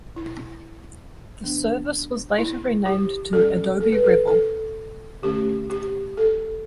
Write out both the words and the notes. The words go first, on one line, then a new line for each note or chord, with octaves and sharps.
The service was later renamed to "Adobe Revel".
E4
E3 B3 D4
E4
G4
G3 C#4 A4
A4
B4
A4
A4
D3 A3 C#4 G4
G4
A4